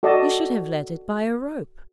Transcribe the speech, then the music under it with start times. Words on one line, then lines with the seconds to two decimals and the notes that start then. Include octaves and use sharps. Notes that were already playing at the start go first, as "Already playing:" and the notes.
You should have led it by a rope.'
0.03 F#4 A4 D5 D#5 A5